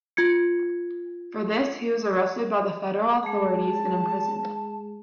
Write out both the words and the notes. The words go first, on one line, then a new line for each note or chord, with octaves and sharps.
For this he was arrested by the Federal authorities and imprisoned.
F4 G#6 C#7
G#3 G#4 A5